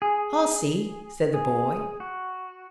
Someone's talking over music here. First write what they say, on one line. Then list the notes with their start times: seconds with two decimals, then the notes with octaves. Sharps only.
"I'll see," said the boy.
0.02 G#4
1.34 G#4
2.00 F#4